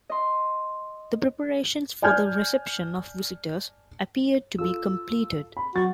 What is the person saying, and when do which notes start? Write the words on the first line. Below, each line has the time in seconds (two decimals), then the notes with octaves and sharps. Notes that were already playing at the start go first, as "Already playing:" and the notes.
The preparations for the reception of visitors appeared to be completed.
0.09 D#5 C6
2.02 D5 G#5 A5 F6 G6 G#6
4.59 F4 A4 E6
5.57 B5
5.76 F#3 F#4 A6